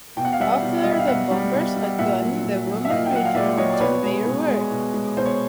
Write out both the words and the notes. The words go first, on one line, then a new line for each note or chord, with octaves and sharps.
After the bombers had gone, the women returned to their work.
B2 G5
F#5
F5
G3 E5 F#5
B2
G3 D#5
E5
F5
B2 E5 F#5
G3
B2
G3
A#2 E5 F#5
F#3
A#2
F#3
E5
A#2 D#5 F5
G5
F#3 F#5
F5
A#2 D5 E5
F#3 C#5 D#5
D5
B2 B4 C#5
G#3
B2
G#3
B2
G#3
B2 C5
C#5